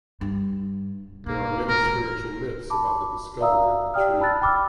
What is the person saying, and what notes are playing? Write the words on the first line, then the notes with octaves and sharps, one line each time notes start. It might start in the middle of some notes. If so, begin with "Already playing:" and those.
There are many spiritual myths about the discovery of the tree.
G2
B2 A#3
E1 A2 A#4
A5 B5 D6
D5 E5 F5 A#5 D#6 E6
G4 D5 G5 D#6 F6
A5 B5 E6 F#6 A6
G5 B5 D6 E6 F6